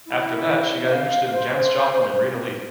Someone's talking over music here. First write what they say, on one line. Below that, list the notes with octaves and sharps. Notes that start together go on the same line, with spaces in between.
After that, she got interested in Janis Joplin and Rita Lee.
E4
F5
C5